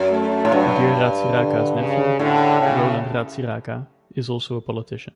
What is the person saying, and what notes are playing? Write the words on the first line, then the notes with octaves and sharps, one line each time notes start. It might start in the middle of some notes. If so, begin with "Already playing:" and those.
Didier Ratsiraka's nephew, Roland Ratsiraka, is also a politician.
Already playing: F#2
A3
A2
G2 F#3
D3
C#3
A2 D3
C#3